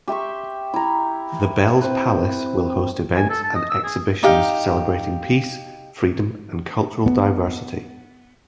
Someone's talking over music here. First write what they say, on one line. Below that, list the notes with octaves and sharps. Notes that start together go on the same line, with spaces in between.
The Bells Palace will host events and exhibitions celebrating peace, freedom and cultural diversity.
G4 E5 C6 C#6
E4 A#5
C4 B4
G#5
A4
A5
D#5
E6
G#4
D#4 G4 F5
B3